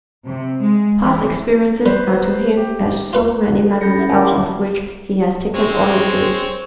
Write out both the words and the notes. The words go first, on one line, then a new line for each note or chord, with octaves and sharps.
Past experiences are to him as so many lemons out of which he has taken all the juice.
C3
G#3
E3
G3 B4 C5
G4
F4 B4 C#6
F#6
A4
C#4 B5 G6 A6 A#6 C#7
E4 E5 F#5
A#4 C#5 F5 G#5 A5 B5
G5 A5 C6 D6
G#3 C4 C#5